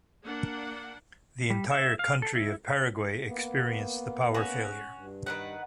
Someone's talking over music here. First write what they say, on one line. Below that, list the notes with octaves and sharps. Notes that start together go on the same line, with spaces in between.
The entire country of Paraguay experienced the power failure.
A#3 D4 F#5
G3
E5
F5
A4
E4
A#3 B3
C#4 F#4
G2
D#3 B4 F#5